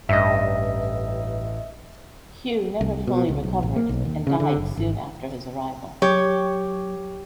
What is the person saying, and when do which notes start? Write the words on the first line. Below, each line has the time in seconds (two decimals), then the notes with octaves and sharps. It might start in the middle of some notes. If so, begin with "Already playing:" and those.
Hugh never fully recovered, and died soon after his arrival.
0.09 A1 G2 D#5 E5
2.81 C2
3.07 B2
3.29 C#2
3.43 B1
3.63 A1
3.76 A#3
3.89 B1
4.05 D#2
4.27 C#3
4.40 D3
4.56 F#1
4.77 G#1
6.02 F#3 G4 C#5